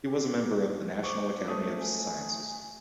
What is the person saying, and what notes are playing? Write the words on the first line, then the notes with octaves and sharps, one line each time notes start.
He was a member of the National Academy of Sciences.
G4
C5 C#6 D6
A3 D#6
G#5